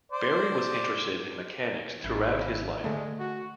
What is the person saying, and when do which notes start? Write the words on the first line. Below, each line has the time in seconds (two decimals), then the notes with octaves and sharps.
Berry was interested in mechanics throughout his life.
0.12 C5 D5
2.04 G#1 E4
2.84 D3 G#3 A3
3.19 F#4